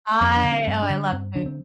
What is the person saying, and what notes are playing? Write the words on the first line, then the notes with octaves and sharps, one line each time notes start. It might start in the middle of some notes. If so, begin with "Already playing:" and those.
I Oh, I love food.
F2 C4
D4
D3
C4
G2 C4
D4
D3
G2 C4
D3 D4
C4